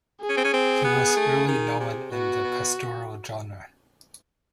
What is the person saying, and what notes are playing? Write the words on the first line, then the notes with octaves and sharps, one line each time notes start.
He was early known in the pastoral genre.
G#4
C#4
C4
C#4
C4
B3
A3
D#3
C3
B2 F#4
B2